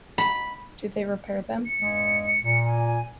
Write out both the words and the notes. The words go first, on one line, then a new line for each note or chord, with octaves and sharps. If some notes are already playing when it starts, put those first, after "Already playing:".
Do they repair them?
B5
C#7
E2 G2 G#3
A#2
G#5